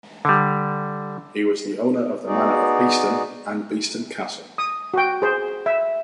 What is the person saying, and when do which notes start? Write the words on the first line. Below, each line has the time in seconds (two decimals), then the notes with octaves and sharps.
He was the owner of the manor of Beeston and Beeston Castle.
0.25 D3 G3
2.25 B3 D#4 F#4 G#4 D5
4.58 D#6
4.94 F#4 G5
5.22 G#4 C5
5.66 E5